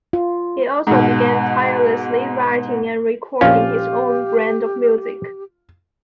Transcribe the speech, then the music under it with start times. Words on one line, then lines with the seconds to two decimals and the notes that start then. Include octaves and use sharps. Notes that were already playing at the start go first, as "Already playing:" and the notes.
He also began tirelessly writing and recording his own brand of music.
0.13 F4
0.87 G#2 B2
3.41 A#1 C#4 F4 G4